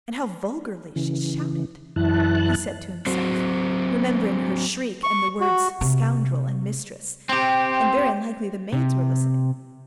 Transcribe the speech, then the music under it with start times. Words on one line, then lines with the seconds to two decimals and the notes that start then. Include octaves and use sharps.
And how vulgarly she shouted," he said to himself, remembering her shriek and the words--"scoundrel" and "mistress." "And very likely the maids were listening!
0.96 C#3 E3
1.96 F#2 E3 E4 A5 F#6
3.07 F#3 C4
5.03 C#6
5.40 F#4
5.81 C3
7.29 C4 G4
8.73 C3